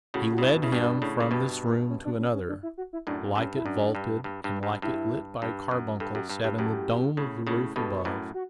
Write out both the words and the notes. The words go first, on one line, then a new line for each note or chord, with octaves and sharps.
He led him from this room to another--like it vaulted, and like it lit by a carbuncle set in the dome of the roof above.
A2 C#3 F#4
F#4
C#3
G2 B2 E4
C#3 E4
G2 B2 D4
A2 C#3
C#3
G2 B2
C#4
D4
C#4
C#4
D4
E4
F#4
E4
F#2 A2 D4
G2 C#4
E4
F#2 D4
G2
G2
G2
G2
G2 E4
G2
F#2
G2 A4
F#2 G4
G2
G2 G4
F#2 A2 G4
A4
G4
A2 C#3
A2 C#3
G2 B2 A4
C#5
F#2 A2 B4
F#4